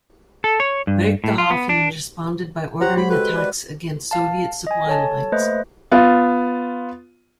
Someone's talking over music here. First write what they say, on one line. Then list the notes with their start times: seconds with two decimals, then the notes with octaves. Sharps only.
Richthofen responded by ordering attacks against Soviet supply lines.
0.44 A4
0.60 C#5
0.87 G2
1.24 A2
1.38 F4
1.51 B3
1.69 D4
2.81 G4 C5 C#5 F#5 A#5
2.97 G#3 F#4 B5
3.10 A4 B4
3.36 D5
4.11 F5 A5
4.67 D#5 G#5
4.87 A4 C#5 A5
5.32 A3 A#3 B4 C5 D#5
5.92 B3 F4